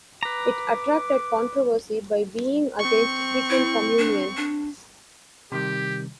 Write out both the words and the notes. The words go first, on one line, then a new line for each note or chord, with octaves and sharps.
It attracted controversy by being against frequent communion.
B4 A#5 D6
C4 C#6
E4
D4
D4
C3 D#3 G3 G4